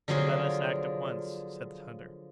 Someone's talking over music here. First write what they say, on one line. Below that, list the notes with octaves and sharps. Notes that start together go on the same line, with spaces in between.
"But let us act at once!" said the hunter.
D3 F3 F#3 A#3 F4 G#4